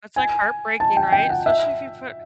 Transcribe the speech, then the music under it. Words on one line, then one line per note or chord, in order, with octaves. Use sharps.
It's like heartbreaking, right? Especially if you put
G#5
A5
G5
G5
F#5
E5